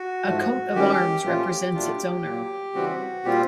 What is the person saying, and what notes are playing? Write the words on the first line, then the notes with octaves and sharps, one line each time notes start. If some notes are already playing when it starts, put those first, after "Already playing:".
A coat of arms represents its owner.
Already playing: F#4
G#2 F3 A3
D#3 G#3 C#4 G4
A#2 F3 A3 C#4 F4
A#2 F#3 A3 D4 F4
A#2 F#3 A#3
C#3 E3 G3 C4 F#4
A#2 G3 C4 F4 G4